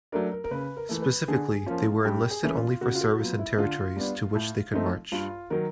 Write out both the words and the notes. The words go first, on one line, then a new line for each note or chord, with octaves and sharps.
Specifically, they were enlisted only for service in territories to which they could march.
F#3 A3 D4 A#4
A#4
A#4
C#3 B4
A#4
E3 A3
B4
D3 G#4
F3 A#3 C#4 F4
G2 G4
G#4
E3 A3 C#4
F4
C#3 F#4
F4
F#4
F#3 B3 F4
E4
D3 F4
G3 B3 D4
A2
F3 A3 C4 D#4
G2 F4
D#3 F#3 A#4